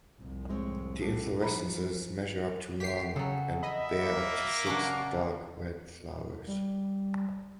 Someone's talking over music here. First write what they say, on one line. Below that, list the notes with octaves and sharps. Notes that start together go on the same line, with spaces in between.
The inflorescences measure up to long and bear up to six dark red flowers.
C2 F2 A2
G#3 C4 C#5
G3 F4 F#4 A4
F3 D#4 G#4 D5 A#5 B5
G4 B6 C7
C#3 F#3 G#4 A4
D#5 E5 B5
A#3
C#3 F#3 D4 C#6 D6
G3